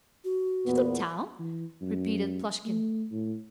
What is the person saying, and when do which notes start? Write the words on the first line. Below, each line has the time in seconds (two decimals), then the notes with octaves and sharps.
"To the town?" repeated Plushkin.
0.24 F#4
0.66 E2 A#2 B3
1.39 E3
1.81 F#2
2.65 A3
3.11 A2